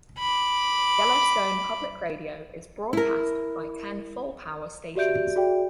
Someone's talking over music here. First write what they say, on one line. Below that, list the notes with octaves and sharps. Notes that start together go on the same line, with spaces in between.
Yellowstone Public Radio is broadcast by ten full-power stations.
B5 D6
E4 A#4
F#4 G4 D5 E5 G6 D7
F#4 G#4 D5 E5 G5